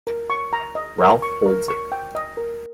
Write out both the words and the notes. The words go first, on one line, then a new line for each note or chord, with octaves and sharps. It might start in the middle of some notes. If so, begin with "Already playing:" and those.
Ralph holds it.
A#4
C#6
A#5
D#5
A#4
C#6
A#4
C#6
G5
D#5
A#4